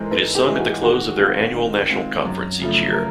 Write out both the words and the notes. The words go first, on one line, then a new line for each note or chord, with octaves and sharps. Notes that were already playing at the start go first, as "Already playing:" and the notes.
It is sung at the close of their annual national conference each year.
Already playing: G#2 E3 G#3 A4 A#4 C5
G#2 A4 B4
G4 A4
E3 G#3
F#4 G#4
D#3 F#4 G#4
G#3 C4 F4
D#3
G#3 C4 F4
F#2
C#3 F3 A3
A#4